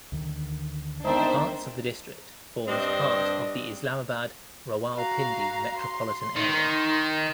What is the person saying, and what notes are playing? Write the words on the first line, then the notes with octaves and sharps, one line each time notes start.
Part's of the district form's part of the Islamabad Rawalpindi metropolitan area.
D2 D#3
D#3 G#3 B3 C4 D4 D#4 C5 E5
G2 C4 D4 D#5
F#4 F5 A#5
C6
D#3